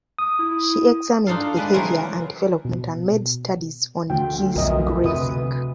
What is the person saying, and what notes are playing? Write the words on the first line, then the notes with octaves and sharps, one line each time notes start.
She examined behaviour and development and made studies on geese grazing.
D#6
E4
D4 D#4 F4 A4 F5
G#3 D4 B4 D5
C3 E3 F#3 F4 A#4 A#5
B2
D2 G5
B1 F2 A#4 D#5 E5
C3 B4 E5 D#6